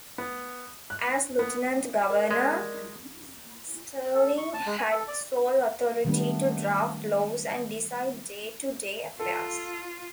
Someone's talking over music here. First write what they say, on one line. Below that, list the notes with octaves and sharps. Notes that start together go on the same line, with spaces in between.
As Lieutenant Governor, Stirling had sole authority to draft laws and decide day-to-day affairs.
B3
F#6
B3
A#4 D5 D#5
G#3
A4
C#6
A5
G#3
G#5
A4
D5
D#3 F#3 G3 A3 B3 D4
F4 A4